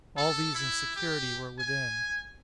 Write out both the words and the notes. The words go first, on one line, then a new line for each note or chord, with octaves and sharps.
All these and security were within.
A4
E4
G4
G#5